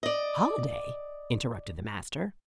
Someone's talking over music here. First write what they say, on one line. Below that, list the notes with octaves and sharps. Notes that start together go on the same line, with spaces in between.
"Holiday!" interrupted the master.
D5 D#5